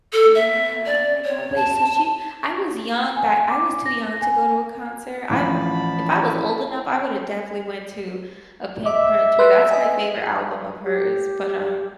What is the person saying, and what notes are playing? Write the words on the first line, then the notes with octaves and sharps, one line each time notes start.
Yeah, oh my god, wait, so she I was young back I was too young to go to a concert, I w if I was old enough, I would've definitely went to a Pinkprint Tour that's my favorite album of hers, but, um
A4
E5
D5
C#5
A5
G#5
D6
A#6
G#5
A1 E3 F3 E4 A5 B5
D#5 E5 D6
B4 C6 F#6
D#5 G#5
G4